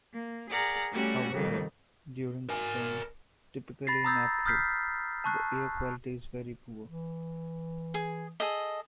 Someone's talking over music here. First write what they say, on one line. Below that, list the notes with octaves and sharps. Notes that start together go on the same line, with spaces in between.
However, during Spring, typically in April, the air quality is very poor.
A#3
G#4 A#4 D5 F#5
G3 A3 C#4 F#4 G4
F2 D#3 G3
A#4 G#5
B5 A6 A#6 C7
A#5 B5 D#6 E6 G6 A6
D#6 F6 G6 B6 C7
A5 C#6 F#6 C7
E3
G#4
G#4 A4 D#5